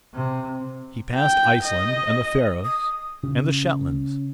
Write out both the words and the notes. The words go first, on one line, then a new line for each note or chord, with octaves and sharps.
He passed Iceland and the Faroes and the Shetlands.
C3
G5
D#5
D#6
C#3